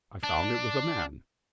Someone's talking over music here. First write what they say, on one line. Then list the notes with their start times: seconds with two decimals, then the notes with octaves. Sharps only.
I found it was a man.
0.24 D4